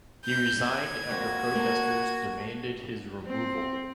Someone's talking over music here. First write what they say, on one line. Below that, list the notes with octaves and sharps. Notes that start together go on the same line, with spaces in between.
He resigned after protesters demanded his removal.
G6
G#6
F2 A#3 C4 F#4
A#3 A5
C4